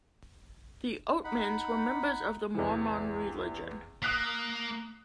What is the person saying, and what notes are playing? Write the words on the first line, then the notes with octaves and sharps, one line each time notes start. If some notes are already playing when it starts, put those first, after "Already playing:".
The Oatmans were members of the Mormon religion.
D#4 F#5 B5
E2 C3 E3
A#3 D#6 F#6 B6